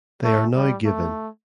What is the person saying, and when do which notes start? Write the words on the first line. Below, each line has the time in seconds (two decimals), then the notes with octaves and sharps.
They are now given.
0.24 A3
0.55 G3
0.85 A3